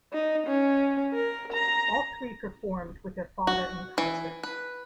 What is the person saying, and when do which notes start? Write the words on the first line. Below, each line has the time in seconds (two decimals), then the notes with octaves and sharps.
All three performed with their father in concert.
0.13 D#4
0.47 C#4
1.14 A#4
1.53 A#5
3.47 F#4
3.98 E3
4.43 B4